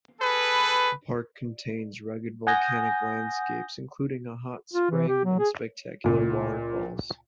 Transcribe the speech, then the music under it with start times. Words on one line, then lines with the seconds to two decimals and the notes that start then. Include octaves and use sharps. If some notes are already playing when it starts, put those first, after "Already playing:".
The park contains rugged volcanic landscapes including a hot spring and spectacular waterfalls.
0.20 G#4 A4 B4
2.47 F#5 G#5 D#6 G6 A#6
4.74 F4
4.91 E3
5.08 G4
5.25 F#3
5.39 G#4
6.04 C#2 A#2